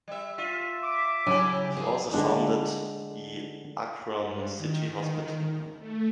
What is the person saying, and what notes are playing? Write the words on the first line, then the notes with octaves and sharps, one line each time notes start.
He also founded the Akron City Hospital.
G3 E5
F4 E5
D6
C#3 F#3 C#4 E4 G4 G#5
F3 G#4
D3 G#3 D4
G2
D#3
A3